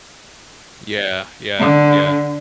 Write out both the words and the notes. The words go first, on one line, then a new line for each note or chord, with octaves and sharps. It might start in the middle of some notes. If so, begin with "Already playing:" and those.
Yeah, yeah, yeah.
D3